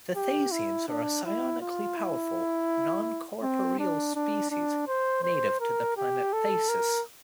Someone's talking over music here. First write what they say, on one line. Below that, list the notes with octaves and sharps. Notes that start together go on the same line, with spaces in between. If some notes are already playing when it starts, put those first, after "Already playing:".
The Thasians are a psionically powerful, non-corporeal species, native to the planet Thasus.
G4
E4
D4
E4
F4
E4
C4
D4
D4
D4
C5
C5
A#4
G4
A4
A#4